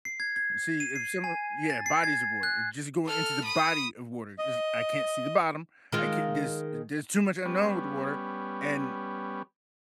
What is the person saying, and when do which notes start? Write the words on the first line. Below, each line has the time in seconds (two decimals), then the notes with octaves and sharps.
see, if some yeah, bodies of water, just go into the body of water 'cause I can't see the bottom, I can't there's there's too much unknown with water, and
0.05 C7
0.20 G#6
0.36 G#6
0.80 D#7
0.96 C7
1.24 G#5
1.70 A6
1.86 C7
2.04 G#6
2.43 F#6
3.07 A4 F6
3.44 B5 D#6
4.38 D#5
5.92 D#3 G#3 F4
7.45 G3 B3 C#4